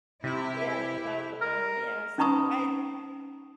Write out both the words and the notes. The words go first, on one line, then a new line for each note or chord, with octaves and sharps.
Yeah, so, um, yeah, so, I'd
C3 E4 G4
A#4
C#4 D#4 A#5 B5 C#6 D#6